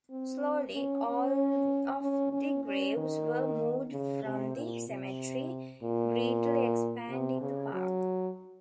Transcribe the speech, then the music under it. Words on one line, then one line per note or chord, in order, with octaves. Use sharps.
Slowly, all of the graves were moved from the cemetery, greatly expanding the park.
C4
C#4
C#4
C#4
C#4
C#4
D#3
C#3
C3
A#2
C3
A#2
C3
C#3
F#3